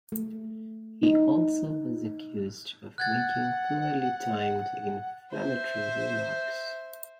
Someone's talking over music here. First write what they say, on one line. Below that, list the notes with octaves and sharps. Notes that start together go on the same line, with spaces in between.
He also was accused of making poorly timed inflammatory remarks.
A3
D#4
F#5 F#6 G#6 A6
C5 E5